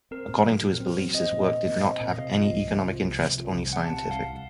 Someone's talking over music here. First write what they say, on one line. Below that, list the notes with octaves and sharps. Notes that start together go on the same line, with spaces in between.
According to his beliefs, his work did not have any economic interest, only scientific.
C4 A#4
A#2
F#3
A#2
C4
F#3
C4 D#5
A#2
C4
A#2
C4
A#2
D#5
C3 F5
F3
C2
C3
F3
C2
C3
F3
C2
C3 F#5
C3 A5
C2 F5
C2